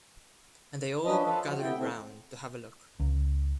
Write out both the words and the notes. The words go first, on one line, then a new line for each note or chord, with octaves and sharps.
And they all gathered round to have a look.
F3 C#4 D4 B4 D#5
F3 F4 A4 B4
F3 F#4
D2 A2 C3 B3 E4 G5
E2 A2 A3 C4 E4
C#2